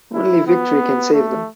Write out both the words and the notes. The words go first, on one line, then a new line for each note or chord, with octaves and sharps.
Only victory can save them.
E4
B3
A3